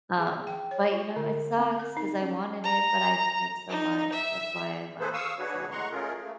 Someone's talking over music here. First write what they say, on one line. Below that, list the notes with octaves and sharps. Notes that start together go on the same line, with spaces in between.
Um, but, you know, it sucks 'cause I wanted it, but I tried so much. That's why I left, so
G#4
G5
C#5
F4
D3
C4
A#4
D#4
C#4
A#5
D#4
E5
A#3 G#4 A4 B4 C5
F5 C#6 D#6 E6
D4 F#4 G#4 B4 C#5
A2 G#3 F#5 A#5 C6 C#6
G#3 A3 C#4 F4 G#4 A#4
A3 A#3